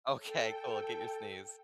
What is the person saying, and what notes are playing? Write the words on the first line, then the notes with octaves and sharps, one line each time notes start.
Okay, cool. Get your sneeze.
A4 G5